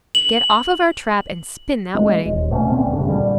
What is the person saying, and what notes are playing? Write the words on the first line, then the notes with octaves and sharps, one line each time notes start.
"Get off of our trap and spin that wedding."
F#7
G#3
D#1
B2 A3 B3 C#4
D2 D3 B3 C4
G2 C#3
A#2 D3 G3